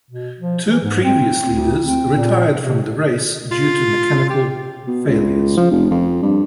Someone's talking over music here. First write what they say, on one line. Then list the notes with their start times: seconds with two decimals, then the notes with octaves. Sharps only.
Two previous leaders retired from the race due to mechanical failures.
0.11 B2
0.40 F3
0.70 E3
0.83 G#2
1.04 C4
1.49 D2
1.83 C4
2.16 A#2
2.61 C3
3.52 F4
4.30 G4
4.88 B2
5.07 C#2
5.57 F3
5.71 F1
5.91 F2
6.22 G2